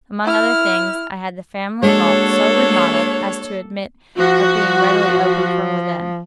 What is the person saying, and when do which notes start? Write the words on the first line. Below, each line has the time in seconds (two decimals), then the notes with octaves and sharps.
Among other things, I had the family vault so remodelled as to admit of being readily opened from within.
0.25 E4 F6
1.83 G#3 A#3 D4 F#4 A4 C#5
4.19 F3 F#4